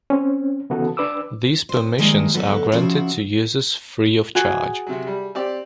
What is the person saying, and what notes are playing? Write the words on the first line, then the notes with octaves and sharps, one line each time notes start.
These permissions are granted to users free of charge.
C4 C#4
C#3 E3 B3 F#4 A4
D4 B4 D6 E6
C4 C5
D#3 G3 G#3 A#3 E4
A2 D3 F#3 B3 A4 B4
C#3 F3 C4 E4 F#4
F#4 G#4
C3 F#3
G3
C4 G4 D5